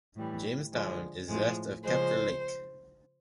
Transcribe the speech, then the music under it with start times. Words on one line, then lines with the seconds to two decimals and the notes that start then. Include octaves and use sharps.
Jamestown is west of Kepler Lake.
0.16 A2 E3 G3
0.73 D3 F3 G#3
1.29 A2 F3 G#3
1.84 C#3 F3 G#3 C5